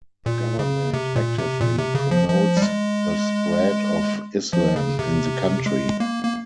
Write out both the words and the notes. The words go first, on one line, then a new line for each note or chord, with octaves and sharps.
The government actively promotes the spread of Islam in the country.
A#2
C#3
C3
A#2
C3
A#2
C3
C#3
F3
F3
G3
G#3
F3
C#3
C3
G#3
A#3
A#3